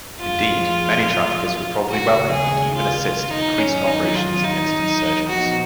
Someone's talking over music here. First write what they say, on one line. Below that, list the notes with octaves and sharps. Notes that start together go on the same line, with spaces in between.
Indeed, many traffickers would probably welcome, and even assist, increased operations against insurgents.
F2 F3 G#3 F4
D#2 C#3 G#3 F#4
G#4
F4
F4
D#4
G#1 F#2 D#3 F#3 C#4
D#4
F4
D#4
A#2 F3 B3 D#4 F#4